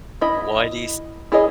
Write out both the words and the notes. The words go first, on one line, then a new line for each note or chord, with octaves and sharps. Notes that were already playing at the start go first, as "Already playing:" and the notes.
Why do you s
E4 D#5 B5
E4 G#4 C#5 D#5